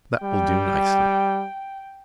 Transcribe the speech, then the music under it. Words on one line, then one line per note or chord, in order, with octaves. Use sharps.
That will do nicely.
G3 G5